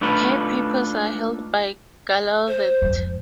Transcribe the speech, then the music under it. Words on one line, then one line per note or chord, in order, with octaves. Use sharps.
Her papers are held by Gallaudet.
A3 D4 D#4 F4 B4
C5
F2 G#2